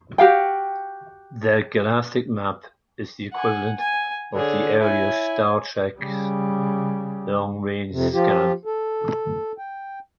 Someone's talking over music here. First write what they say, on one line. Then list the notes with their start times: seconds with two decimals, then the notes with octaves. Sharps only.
The Galactic Map is the equivalent of the earlier "Star Trek"'s Long Range Scan.
0.18 F#4 G4 F5 G5
3.32 F#5 G#5
3.77 G#5
4.33 D3 G#4 C#5
4.80 E4 C#5 G#5
5.99 C#3 G3
7.92 F2 C3
8.13 F3 F4 G4
8.65 A4
9.58 G5